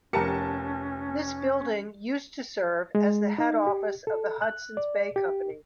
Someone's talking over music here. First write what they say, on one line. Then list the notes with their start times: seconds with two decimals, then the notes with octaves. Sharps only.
This building used to serve as the head office of the Hudson's Bay Company.
0.13 F1 C#4 G4 A#4 A5 C#7
2.95 G#3
3.38 D#4
3.67 G4
4.07 A4
4.42 F#6
4.77 D5
5.16 G4